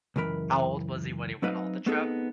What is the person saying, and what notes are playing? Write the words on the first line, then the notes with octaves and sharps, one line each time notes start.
How old was he when he went on the trip?
C#2 F#2 E3 A#4 B5
F#3 A3 C4 D#4 B4 F5
A3 B3 C4 D#4 G#4 A4